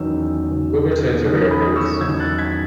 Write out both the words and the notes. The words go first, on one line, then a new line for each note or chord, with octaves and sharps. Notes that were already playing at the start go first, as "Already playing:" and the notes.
We’ll return to Veracruz.
Already playing: E2 D#3 F#3 C#4 E6
E2 D#3 F#3 C#4
E2 D#3 F#3 C#4 D#6 F#6
B5 D#6
C#6 E6
E2 D#3 F#3 C#4 E6 G#6
F#6 A6
G#6 B6